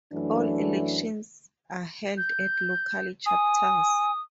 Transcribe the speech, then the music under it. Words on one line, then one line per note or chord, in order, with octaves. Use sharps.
All elections are held at local chapters.
F#2 E3 F#3 A3 D4
G6
G#5 D#6